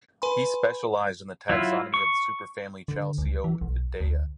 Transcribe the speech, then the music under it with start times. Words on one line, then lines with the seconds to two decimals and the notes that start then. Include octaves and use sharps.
He specialized in the taxonomy of the superfamily Chalcidoidea.
0.22 B4 G#5 B5 C6
1.49 F#3 E4 F4
1.94 C#6
2.88 D3
3.18 C#2
3.44 E3
3.61 B1
4.01 D2